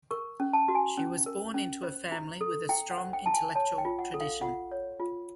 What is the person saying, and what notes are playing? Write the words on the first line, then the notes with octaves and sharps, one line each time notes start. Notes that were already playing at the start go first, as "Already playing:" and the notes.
She was born into a family with a strong intellectual tradition.
A#4 C#6
C#4
A5
F#4
G#5
C#4
A#4
C#4
C5
E4
A4
E4 G5
F#5
C5
G5
E4 A5
G#5
C#5 A5
G5
F4
F#5
A4
F5
F4 F#5
C#5
F4